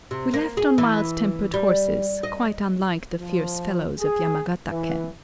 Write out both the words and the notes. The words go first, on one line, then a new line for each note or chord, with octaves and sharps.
We left on mild-tempered horses, quite unlike the fierce fellows of Yamagata ken.
C3
A#3
G#4
E3
G3
D#5
F3
G#4
E3